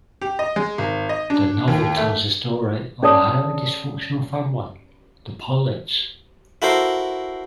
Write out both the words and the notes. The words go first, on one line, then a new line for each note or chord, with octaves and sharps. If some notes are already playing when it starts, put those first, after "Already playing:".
The novel tells the story of a highly dysfunctional family, the Pollits.
G4
D#5
G#3
G#1
D#5
D4
D#2
A3
C#4 G#4 C#5 D5 A5 D#6
E4 F#4 A4 A#4 C5